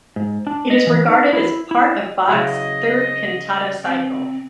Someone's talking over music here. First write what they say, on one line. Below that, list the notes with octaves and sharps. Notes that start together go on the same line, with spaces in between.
It is regarded as part of Bach's third cantata cycle.
G#2
D4
D#5
E3
D#4
E4
E4
C#3 F#3 E4 D#5
C4